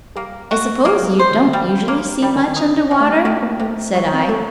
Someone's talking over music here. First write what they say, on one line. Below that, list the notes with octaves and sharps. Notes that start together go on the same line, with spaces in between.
"I suppose you don't usually see much under water?" said I.
G3 A#3
F#4
F#3 A#3
F#3
G3 C5
D#3
F#3
D3
D#3 G3
A#3
D#3 G3
D3
D#3
D#4
C3
A3
G3
D#3 A3
A#3
C3 A3
F#3 G3
C4
A#3
F#3 A3